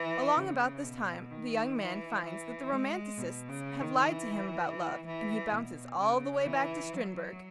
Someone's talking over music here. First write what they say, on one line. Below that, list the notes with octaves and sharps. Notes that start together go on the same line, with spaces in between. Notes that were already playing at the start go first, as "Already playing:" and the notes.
Along about this time the young man finds that the romanticists have lied to him about love and he bounces all the way back to Strindberg.
Already playing: E3
C#3
B2
D#3
E3
E3
G#3
B2
C#3
D#3
E3
E3
B2
C#3
E3
F#3